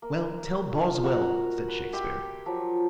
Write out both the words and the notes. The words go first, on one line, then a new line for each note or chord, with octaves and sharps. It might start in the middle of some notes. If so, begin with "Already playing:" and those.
"Well, tell Boswell," said Shakespeare.
A#3
F4
A#3 F#4 F#5 A#5
B4
G4 E5 C6
F3 F#3